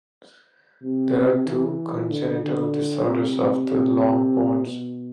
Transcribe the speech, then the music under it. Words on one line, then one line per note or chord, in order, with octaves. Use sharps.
There are two congenital disorders of the long bones.
C3
E3
D3
D3
C3
C3
B2